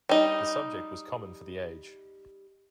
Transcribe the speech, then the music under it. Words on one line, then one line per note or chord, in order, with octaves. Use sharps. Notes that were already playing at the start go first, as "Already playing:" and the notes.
The subject was common for the age.
G3 D#4